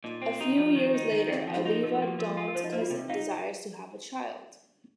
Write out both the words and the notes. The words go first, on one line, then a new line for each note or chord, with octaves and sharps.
A few years later, Aviva, Dawn's cousin, desires to have a child.
A#2 D#4 D#5
C4 C5
D#4 G4
F3 F4
D#3 D#4
G4
D#4 C5
G4
D#3
C4
F3 D#4
F4
D#4 G4
F3 A#4
A#4
A#3
G4
F3 A#4
F4
A#4
F3 C5
D#4 D#5
A#3 C5
F4
C3
D#4 F5